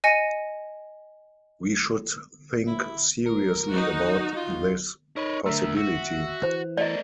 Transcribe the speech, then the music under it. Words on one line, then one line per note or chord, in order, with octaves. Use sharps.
We should think seriously about this possibility.
D#5 G#5 A#6 C#7 D#7
E4
A#4
D#4 F#4
F4
D#4 A#4 B4 C#5
D3 A3 A#4 E5
F#4 E5
E3 C5
A3 A#4 D5 D#5